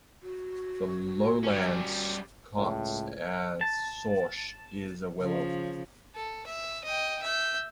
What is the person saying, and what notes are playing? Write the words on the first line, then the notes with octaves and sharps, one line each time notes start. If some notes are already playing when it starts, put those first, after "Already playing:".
In Lowland Scots, a "sauch" is a willow.
F#4
G3 C#4
C#2 A2
A5
C#3 F3
A4
E5
D#5 G5
E5 G6